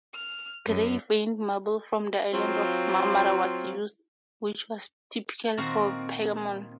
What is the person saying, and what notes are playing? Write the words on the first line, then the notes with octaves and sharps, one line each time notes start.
Grey-veined marble from the island of Marmara was used, which was typical for Pergamon.
F6
F#2
F#3 C4 F4
A#2 D#3 A#3 C4 F#4 A#4